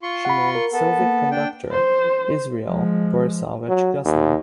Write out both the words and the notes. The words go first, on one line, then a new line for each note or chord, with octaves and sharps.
She married Soviet conductor Israel Borisovich Gusman.
F4 C6 C#6
F#5 B5
A#4
B3 A4
A#3
D4 G5
C5
F3 G#3
F#3
D#2